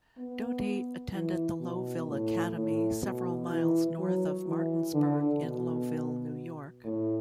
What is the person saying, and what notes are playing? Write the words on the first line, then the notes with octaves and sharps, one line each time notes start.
Doty attended the Lowville Academy several miles north of Martinsburg in Lowville, New York.
B3
E3
B2
A2
A2
B2
E3
F#3
E3
D3
B2
A2